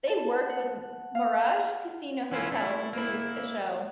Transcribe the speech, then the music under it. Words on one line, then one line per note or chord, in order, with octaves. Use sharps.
They worked with Mirage Casino-Hotel to produce a show.
A5
F#5
F5
E3 C#4 E4 F4
A3 E4
A#3 E4